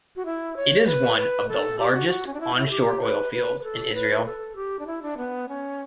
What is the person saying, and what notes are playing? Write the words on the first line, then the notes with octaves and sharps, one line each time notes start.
It is one of the largest on-shore oil fields in Israel.
F#4
E4
C#5
B4
B4
A4
G4
F#4
F#4
C#4
D4
E4
E4
A4
G4
B4
B4
B4
A4
B4
A4
G4
D4
E4
D4
B3
C#4